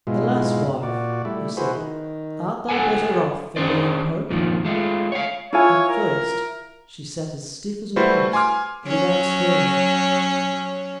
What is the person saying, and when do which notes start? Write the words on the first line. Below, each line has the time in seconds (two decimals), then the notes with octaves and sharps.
"Alas, wife," he said, "art thou better off for being pope?" At first she sat as stiff as a post, without stirring.
0.07 G#2 B2 G#3 E4 F4
0.83 A#2 F#4 D5
1.25 G3 A3 E4
1.57 E4 F#4 G#4 B4 C5
1.75 D#3
2.69 A4 B4 F#5 G#5
3.56 D#3 C#4 G#4 C5 D5
4.30 F2 A#2 D#3 F3
4.65 G#3 A3 F4
5.12 C#5 F5
5.53 E4 F4 C#5 G#5
5.89 A#4
7.96 G3 A3 E4 F#4 B4 C5
8.33 G#5 C6 D6 F6
8.86 F#3 C#4